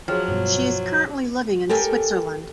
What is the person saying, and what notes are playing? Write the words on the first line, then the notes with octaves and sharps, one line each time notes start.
She is currently living in Switzerland.
F3 F#3 G#4 C#5 G5
G2 B2
G4 A4 A#4 G5 G#5